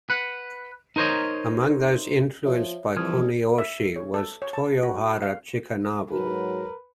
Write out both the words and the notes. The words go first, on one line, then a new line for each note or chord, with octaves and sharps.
Among those influenced by Kuniyoshi was Toyohara Chikanobu.
B4 F#5
D#4 A#4 C5 C#5 D#5
F3 C#5 E5
C2 E3 F3 D#6 F6 G#6
E5
C#5
A4
C#5
A5
F#4
F5
G#2 F#3 F#4 A#4 B4